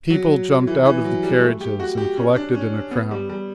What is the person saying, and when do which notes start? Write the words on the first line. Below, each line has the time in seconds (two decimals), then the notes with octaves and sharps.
People jumped out of the carriages and collected in a crowd.
0.10 F#3
0.67 E3
0.86 E3
1.04 F#3
1.23 G3
1.41 A3
1.61 G4
1.80 F#4
1.97 G4
2.17 C#4
2.36 D4
2.55 C#4
2.91 B3
3.11 G3
3.30 G3